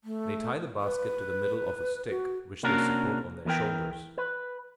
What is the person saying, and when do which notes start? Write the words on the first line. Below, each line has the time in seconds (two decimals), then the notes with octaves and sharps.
They tie the basket to the middle of a stick, which they support on their shoulders.
0.04 A3
0.80 B4
2.10 F#4
2.63 C3 A#3 C#4 D4 F#4 A#4
3.45 E2 E3 B3 A#4 G5
4.18 B4